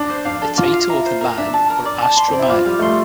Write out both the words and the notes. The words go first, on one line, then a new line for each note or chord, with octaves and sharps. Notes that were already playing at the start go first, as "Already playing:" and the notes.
The title of the Man or Astro-man?
Already playing: D4
C5
D4 F5
A4
F4 D6
F5
E4 A#5
C5
A#4
D4 E5
A5
A#4
D5
A5
C6
C4
D5
E4
F4 D5
G3 F5
A3 C6